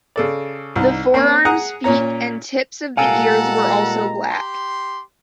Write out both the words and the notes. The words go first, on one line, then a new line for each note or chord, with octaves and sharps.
The forearms, feet, and tips of the ears were also black.
C#3 A4 D5
C2 D#4
A#3 C4 C#4
G#4 F#5 G#5 A#5 D#6
A#2 C#4 C#5 A#5
A#2 G3 G#3 A4 F5 F#5 G#5 A#5
G4 C6